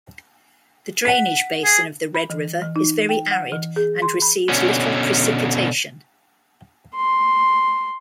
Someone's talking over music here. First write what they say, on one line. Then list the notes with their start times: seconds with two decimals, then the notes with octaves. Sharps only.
The drainage basin of the Red River is very arid and receives little precipitation.
1.05 F#5 B6
1.64 G#4
2.15 B5
2.30 E3
2.62 E3
2.76 D#4
3.09 G5
3.31 F#5
3.52 E3
3.76 G#4
4.02 C6
4.22 B5
4.49 B2 D3 C#4
6.97 C6